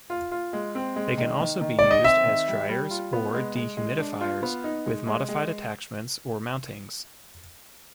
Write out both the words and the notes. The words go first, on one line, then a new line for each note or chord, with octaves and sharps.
They can also be used as dryers or dehumidifiers with modified attachments or mountings.
F4
F4
G#3
C4
G#3
D#3
D#3
D#3
D#3 D5
D#5
C4 E5
D#3
G3
G3
F4
B3
G#3
G#3
G#3
D4
F4
B3
D#4
G#3
G#3
G#3